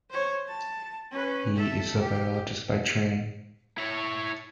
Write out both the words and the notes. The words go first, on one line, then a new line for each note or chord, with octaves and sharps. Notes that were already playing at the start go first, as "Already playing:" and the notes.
He is a biologist by training.
C5 C#5
A5
C#4 B4
A4 E5
G4
E4 C#5